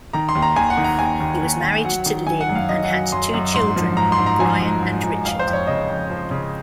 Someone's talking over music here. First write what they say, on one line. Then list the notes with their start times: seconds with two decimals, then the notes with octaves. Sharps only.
He was married to Lynne and had two children, Bryan and Richard.
0.13 D#3 A#5
0.29 C6
0.35 D#2
0.42 A#5
0.56 D#2 G#5
0.70 F#5
0.77 D#3
0.84 A#5
0.99 D#2 G#5
1.20 D#2
1.42 D#2
1.64 D#3
1.85 F#3 F#5
2.06 D#3
2.27 D#3 G#5
2.41 F#5
2.49 F#2
2.55 F5
2.69 F#2 D#5
2.84 F#5
2.91 F#3
3.12 F#2 C6
3.34 F#2
3.54 G#2 C6
3.76 F3
3.97 G#2 A#5
4.12 C6
4.18 G#2
4.26 A#5
4.39 F3 G#5
4.61 G#2
4.82 G#2
5.03 G#2
5.25 F2 F5
5.39 C5
5.47 F2
5.53 C#5
5.67 C#3 D#5
5.89 F2
6.10 F3
6.31 C#3